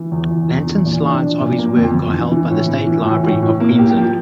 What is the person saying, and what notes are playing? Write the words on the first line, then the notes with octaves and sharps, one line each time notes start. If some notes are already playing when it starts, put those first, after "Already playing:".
Lantern slides of his work are held by the State Library of Queensland.
Already playing: E3
E2
E2
E2
E3
A#2
D4
F3
A#2
A#3
F2
F2
E3
E3
A2
E3
E3
A2
A2
A2
A#3
G4
F3